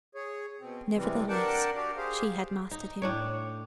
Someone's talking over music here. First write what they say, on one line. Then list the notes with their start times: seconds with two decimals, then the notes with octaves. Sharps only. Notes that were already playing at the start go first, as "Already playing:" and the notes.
Nevertheless she had mastered him.
0.15 G#4 C#5
0.60 B2 C4
0.95 C3 E3 G3 G#3 C4
1.29 D4 A#4 D5 F#5 G5 A5
1.76 D4 F#4 G4 D5 F5
1.97 G4 G#4 C5 F5
2.71 D#4
3.02 A2 D4 C#5